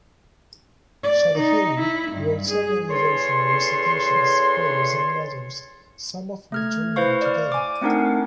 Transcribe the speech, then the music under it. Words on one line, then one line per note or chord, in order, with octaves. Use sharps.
Shadhili wrote several devotional recitations, prayers and letters, some of which remain today.
D5
D#4
E4
G2
G#4
E2 A4 C#5 C6
A3 F6 G#6
E4 B4 C5 F5 C#6
D5 F6
G#5 D6
A3 C4 D4 D#4 A#4 F#5